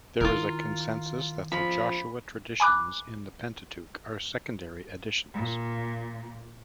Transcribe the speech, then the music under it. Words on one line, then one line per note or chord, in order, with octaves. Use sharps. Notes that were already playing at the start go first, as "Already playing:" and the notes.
There is a consensus that the Joshua traditions in the Pentateuch are secondary additions.
D#3 E4 F4 A#4
F3 B5
G#5 B5 D6 F#6
A#2